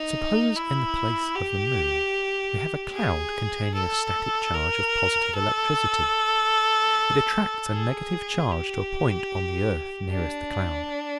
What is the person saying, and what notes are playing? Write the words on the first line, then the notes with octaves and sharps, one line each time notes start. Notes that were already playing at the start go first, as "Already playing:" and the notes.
Suppose in the place of the moon we have a cloud containing a static charge of positive electricity--it attracts a negative charge to a point on the earth nearest the cloud.
Already playing: D#4
E4
G4
G#4
A4
A#4
A4
G#4
G4
D4